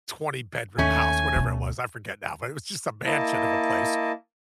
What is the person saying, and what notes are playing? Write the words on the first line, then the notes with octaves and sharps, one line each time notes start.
twenty-bedroom house- whatever it was, I forget now, but it was just a mansion of a place-
D#2 A3 C#4 G#5
D2 B2
A#3 E4 D#5 A5